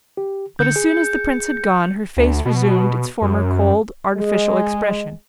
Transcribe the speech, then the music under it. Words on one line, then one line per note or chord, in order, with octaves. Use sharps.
But as soon as the prince had gone her face resumed its former cold, artificial expression.
G4
D3 G6 C#7
G#4
D2
B2
F#2
G#3